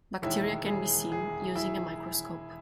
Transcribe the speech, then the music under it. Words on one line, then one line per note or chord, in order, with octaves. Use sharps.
Bacteria can be seen using a microscope.
E1 D#2 D#3 G#3 E4
G#4
G#4
E4